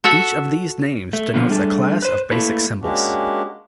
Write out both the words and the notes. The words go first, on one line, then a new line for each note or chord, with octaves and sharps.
Each of these names denotes a class of basic symbols.
F#4 A4 E5 F#5
A3
B2 D3 F3 B3
G3 A3 D4 G#4 A4
B4 C5
A3 A#3 E4 A4 B4
G#3 A#3 C#4 D4 F#4 G4